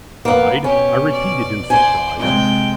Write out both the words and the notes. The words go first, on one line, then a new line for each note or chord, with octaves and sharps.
"Died?" I repeated, in surprise.
A#3 B3
B2 C#4 G4
D5
C5 D5 G#5
C3 G#3 G5